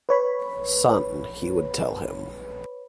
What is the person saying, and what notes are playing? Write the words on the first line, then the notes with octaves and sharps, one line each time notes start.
"Son," he would tell him.
B4 C#5 B5